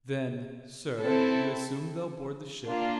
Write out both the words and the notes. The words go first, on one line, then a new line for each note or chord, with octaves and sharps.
"Then, sir, you assume they'll board the ship?"
C4 E4 A4
A#3 D4 F4